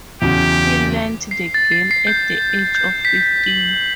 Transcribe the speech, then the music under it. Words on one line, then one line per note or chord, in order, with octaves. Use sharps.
He learnt the game at the age of fifteen.
E2 C#3 F#3 G4
C7
A6
C7
C7
G6
G6
B6
F#7